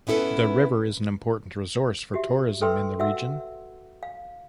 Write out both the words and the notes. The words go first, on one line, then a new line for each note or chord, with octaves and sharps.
The river is an important resource for tourism in the region.
B3 C#4 E4 G#4 A4 B4
F#4 G4 E5
A4 B4 E5 G5 C6 E6
F#4 E5 F#5 E6
F5